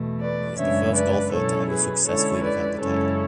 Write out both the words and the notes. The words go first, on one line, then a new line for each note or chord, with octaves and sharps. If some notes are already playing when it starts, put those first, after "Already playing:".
He is the first golfer to ever successfully defend the title.
Already playing: E2 B2 A3
B4 D5
F#2 C#3 G#3 B3 D4 C#5 E5
B4 D5
B2 F#3 C#4 E4 A4 C#5
G#4 B4
D3 G#3 C#4 E4 A4 C#5
B4 D5
F#2 C#3 G#3 C#4 E4 A4 C#5